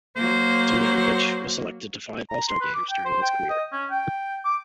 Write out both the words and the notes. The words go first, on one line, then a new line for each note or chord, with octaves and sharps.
Tomjanovich was selected to five All-Star Games during his career.
F#3 A#3 C5
A#5
C6
B4
D6
G5
C5
G5
D#5
C#4
G5
D6